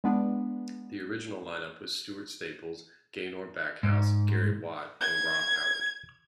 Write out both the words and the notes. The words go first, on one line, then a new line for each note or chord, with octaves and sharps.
The original line-up was Stuart Staples, Gaynor Backhouse, Gary Watt and Rob Howard.
G#3 B3 D4
G#2
G#6